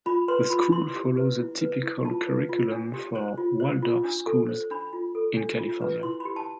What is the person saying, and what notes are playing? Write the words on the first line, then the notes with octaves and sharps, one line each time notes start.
The school follows a typical curriculum for Waldorf schools in California.
F4 B5
B4 C6
F4 B5
E4 C6
G4
B4
E4
B4
E4
F4 A5
B4
F4
D4
G4
C5
F4
C5
F4
D4
A4
C5
D4 B5
F4
A4
D4
F4
B4
E4 C6
G4 B5
A5